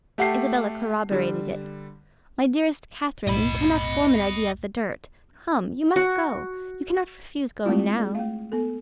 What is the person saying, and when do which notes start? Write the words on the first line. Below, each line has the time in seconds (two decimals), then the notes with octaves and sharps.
Isabella corroborated it: "My dearest Catherine, you cannot form an idea of the dirt; come, you must go; you cannot refuse going now."
0.18 A3 G4 F#5 A5 C7
1.11 D3 G3
3.27 E1 B1 A2 D#5 B5
5.96 F#4
7.65 G#3 A3 C4 E4 F4
7.98 G#4 D5
8.15 A3 F5
8.52 B3 A4